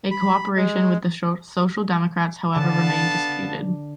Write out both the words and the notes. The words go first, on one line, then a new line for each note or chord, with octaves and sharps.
A cooperation with the Social Democrats, however, remained disputed.
B5
G#3
D3 B3 F5 A5